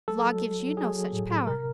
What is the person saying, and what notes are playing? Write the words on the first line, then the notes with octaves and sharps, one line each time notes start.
The law gives you no such power.
F#3 A4
F#3
F#3
F#3
F#3 G#4
F#3
A2
A2
C3 A#4